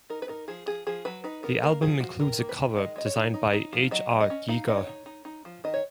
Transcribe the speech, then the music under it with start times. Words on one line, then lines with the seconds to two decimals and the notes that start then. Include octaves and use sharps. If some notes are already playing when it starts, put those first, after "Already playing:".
The album includes a cover designed by H. R. Giger.
0.10 D#4 A#4
0.22 B4
0.28 D#4 A#4
0.48 F3 G#4
0.66 F3 G#4
0.87 F3 G#4
1.05 F#3 B4
1.24 D#4 B4
1.43 B3 A#4
1.63 A#3 A#4
1.82 F3 G#4
2.00 F3 F#4
2.19 D#3 A#4
2.39 A#3
2.49 B4
2.58 D#3
2.77 G#3 D#5
2.96 G#3 D#5
3.06 C#5
3.16 D#4
3.34 D#4
3.53 D#4
3.73 F3
3.91 F#3 D#5
4.11 F#3
4.21 D#5
4.30 C#4
4.49 D#4 F5
4.68 D#4 D#5
4.77 C#5
4.87 D#4
5.06 D#4
5.25 D#4
5.45 F3
5.64 D#3 D#5
5.74 C#5